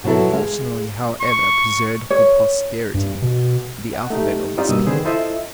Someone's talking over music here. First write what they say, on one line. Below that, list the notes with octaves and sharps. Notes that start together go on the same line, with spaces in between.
He fortunately, however, preserved for posterity the alphabet of this people.
B2 F#3 B3 E4 A4
G#3 F5
C#6
C#5
G2
B2
F#5
A3 D#4 G4
C4 C#4 D#4 F4 G4 D5
G2 B2 A#3 D#6 E6
D3 D#3 C4 G#4 B4 C5
E4 F4 A4 C5 D#5 E5